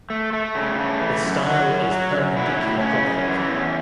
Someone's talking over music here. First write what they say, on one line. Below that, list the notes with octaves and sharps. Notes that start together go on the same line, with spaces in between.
The style is Perpendicular Gothic.
A3
A3
C#3
A3
E3
F#2
E4
F#3 F#4
F#2
F#3
F#2
F#3 E4
C#4
A2 E4
C#3 C#4
F#2
E3
E2